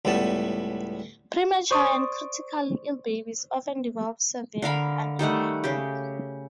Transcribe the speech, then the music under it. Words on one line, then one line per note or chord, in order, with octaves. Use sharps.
Premature and critically ill babies often develop severe anemia.
C#2 A2 G3 B3 A5
C5 D5 C6 C#6 D#6
D3 A#4 F5 B5
D#3 G3 A3 F#5
C#3 G4